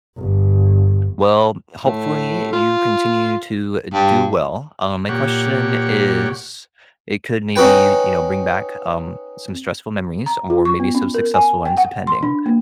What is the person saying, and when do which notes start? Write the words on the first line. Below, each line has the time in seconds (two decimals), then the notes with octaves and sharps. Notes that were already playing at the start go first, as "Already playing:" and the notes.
Well, hopefully, you continue to do well, um, my question is it could maybe, you know, bring back, um, some stressful memories or maybe some successful ones depending,
0.17 G1
1.84 A2
2.53 F4
3.94 G2
5.09 A#2 G4 C#5 F#5
7.56 C#4 D#4 F#4 B4 G5
10.26 A#5
10.50 F4
10.65 C#6
10.80 B3
10.95 C#4
11.14 A#4
11.34 G#5
11.65 G5
11.77 F#5
12.07 C6
12.23 D4
12.46 A#3